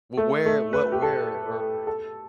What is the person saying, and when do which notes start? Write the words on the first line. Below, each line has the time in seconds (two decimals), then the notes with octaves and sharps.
Well, where what where or
0.17 A3
0.46 A3
0.73 B4
0.92 G4
1.02 A4
1.87 A4